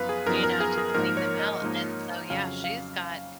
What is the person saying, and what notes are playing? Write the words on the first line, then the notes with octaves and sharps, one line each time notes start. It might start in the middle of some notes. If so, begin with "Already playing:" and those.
you know, to clean them out. And so, yeah, she's got
Already playing: F#2 F3 B3 D#4 B4 F5
G#4
F#2 F3 B3 D#4 A#4
A#4
G#4
G#4
G#2 F3 A#3 D#4 A#4
C#5
D#5
G#2 F3 A#3 D#4
F2 C#3 F#3 C#4 F5
F5